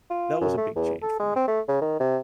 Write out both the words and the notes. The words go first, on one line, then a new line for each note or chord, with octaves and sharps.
that was a big change for me.
F4
F#2
A3
E2
A4
G#3
C4
A3
C#3
D#3
C3